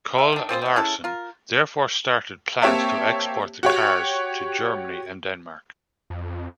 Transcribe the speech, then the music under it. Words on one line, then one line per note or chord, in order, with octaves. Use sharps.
Kohl-Larsen therefore started plans to export the cars to Germany and Denmark.
E5
D#3 D4
C4 F4 G#4 C5
A3 C4
C#4 E4 G#4 A4
F4 A#4
A#3 C4 G4 C#5 E5 A5
F#4 G4 C#5
F2